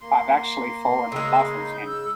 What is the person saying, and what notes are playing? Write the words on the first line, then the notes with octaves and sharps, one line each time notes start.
I've actually fallen in love with him.
A#3 C6
C#3 G#3 E6
D#4
G6
E6